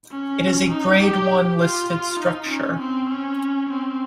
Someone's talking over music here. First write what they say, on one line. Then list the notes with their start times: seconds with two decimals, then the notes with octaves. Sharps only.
It is a grade one listed structure.
0.11 C#4
0.70 D#4
1.00 G4
1.60 F4
1.90 F4
2.19 D#4
2.49 C#4
2.79 C4
3.09 C#4
3.69 C4